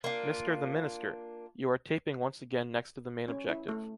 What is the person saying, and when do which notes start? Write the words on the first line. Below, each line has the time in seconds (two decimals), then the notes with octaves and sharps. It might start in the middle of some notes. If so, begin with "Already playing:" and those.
Mr. the Minister, you are taping once again next to the main objective.
0.04 A#3 D4 F4
3.28 C#4
3.49 E4
3.68 A3